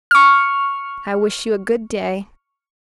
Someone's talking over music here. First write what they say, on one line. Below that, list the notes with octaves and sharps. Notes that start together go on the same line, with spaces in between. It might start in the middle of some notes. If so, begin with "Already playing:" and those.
"I wish you a good day."
C#6 F6